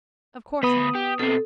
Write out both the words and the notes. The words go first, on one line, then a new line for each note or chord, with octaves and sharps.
Of course not!
D2 B3 B5 D#6
G4
B2 C4 A4